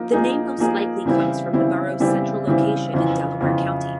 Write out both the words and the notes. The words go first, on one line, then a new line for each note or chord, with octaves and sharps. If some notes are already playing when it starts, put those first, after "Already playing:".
The name most likely comes from the borough's central location in Delaware County.
Already playing: F3 A#3 D#4
F3 A#3 D#4 G#4
F3 A#3 D#4 G#4
C#3 E3 G3 C4 E4
C#3 E3 G3 C4 E4
C#3 E3 G3 C4 E4
C#3 E3 G3 C4 E4
F2 C#3 E3
F2 C#3 E3